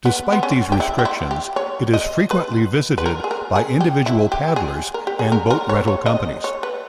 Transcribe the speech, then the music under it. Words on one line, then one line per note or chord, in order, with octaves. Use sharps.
Despite these restrictions it is frequently visited by individual paddlers and boat rental companies.
B3
B3
C#4
G4
E4
G4
E4
G4
C#5
D#5
B4
B4
A#4
G#4
A#4
G#4
G4
E4
G4
G#4
A#4
G4
G#4
A#4
A#4
C#5
C#5
D#5
C#5
B4